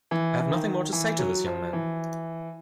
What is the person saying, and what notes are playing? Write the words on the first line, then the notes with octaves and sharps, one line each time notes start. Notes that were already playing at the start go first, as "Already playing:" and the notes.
I have nothing more to say to this young man!
E3
E3
D#3
E3
F#3
F3
E3